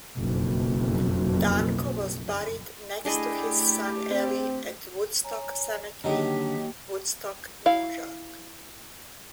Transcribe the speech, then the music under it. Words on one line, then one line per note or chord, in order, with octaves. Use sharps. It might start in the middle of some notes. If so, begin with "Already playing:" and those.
Danko was buried next to his son Eli at Woodstock Cemetery, Woodstock, New York.
F#1 B1 F2
A3 D4 E4 G4 G#4 D#5
C4
C#5 G#5 A#5
D3 D#3 F#3 A#3 D#4 G4 G5
E4 F5